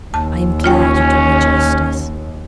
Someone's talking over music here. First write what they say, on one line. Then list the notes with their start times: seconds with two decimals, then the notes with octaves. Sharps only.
I am glad you do me justice.'
0.14 D#2 A5
0.64 C#4 F4 C#5 G5